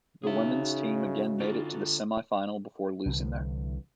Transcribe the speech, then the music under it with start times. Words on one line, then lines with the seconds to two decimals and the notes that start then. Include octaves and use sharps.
The women's team again made it to the semifinal before losing there.
0.24 C#3 D#4 F#4 G#4 E5
1.40 D3 F4 A4
3.06 C2 D3 E3